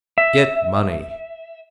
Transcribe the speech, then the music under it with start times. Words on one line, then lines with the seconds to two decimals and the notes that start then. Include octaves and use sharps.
Get money!
0.18 E5